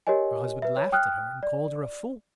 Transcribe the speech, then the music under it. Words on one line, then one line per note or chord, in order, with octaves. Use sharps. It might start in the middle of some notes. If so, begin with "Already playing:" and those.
Her husband laughed at her, and called her a fool.
G4 A#4 C#5 D#5 G#5
B4 E5
C#5
G5 D#6 F6 F#6
D5